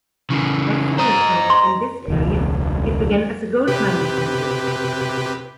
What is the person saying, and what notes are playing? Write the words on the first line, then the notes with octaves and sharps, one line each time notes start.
Like several towns in this area, it began as a gold mining centre.
C#3 E3
C5 D#5 A#5
C6
E1 C#2 E3
C3 G4 B4